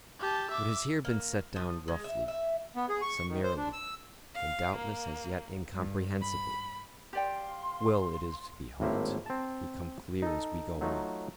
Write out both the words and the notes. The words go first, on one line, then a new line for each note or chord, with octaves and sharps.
What has here been set down roughly, summarily, and doubtless as yet incomprehensibly, will, it is to be hoped, become clear as we go on.
G4 A5
E5 D6
A#3
F3
G#3
E5
E5
B3
G#4
C#6
D#3
C5
D4
E6
F5
A#3
G2
B5
G4 D5 F5 G5 C6
G#1 A2 A#3 C5 E5
C4 A5
D#4 A4
F#3 A3 D#4 F4